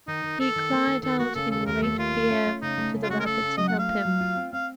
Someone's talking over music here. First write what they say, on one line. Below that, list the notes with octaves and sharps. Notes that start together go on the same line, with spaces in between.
He cried out in great fear to the rabbit to help him.
D#3 D#4
D#3
D#3 A4
D#3
A#3
D#3
D#3 A4
A#3 F#4
C#3 A4
D#2 A4
D#2 A#4
A3 A4
D#2 F4
A3
C#4
A3
C#3 D#4
A3
C#3
F4
A3 F#4
A#4
C#3 A4
C#3
F#3 D#5
F#5
A3 F5
F4
F#3
F4
C4
C4 F5